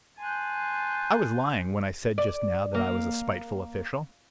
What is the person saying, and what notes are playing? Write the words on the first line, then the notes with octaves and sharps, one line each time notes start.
I was lying when I said just now that I was a spiteful official.
G#5 A5 C6 F#6 G6
D5
A#3